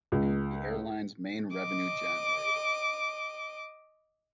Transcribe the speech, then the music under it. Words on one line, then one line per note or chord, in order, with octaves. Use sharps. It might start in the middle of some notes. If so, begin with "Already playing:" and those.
The type became the airline's main revenue generator.
C#2
D#5 D6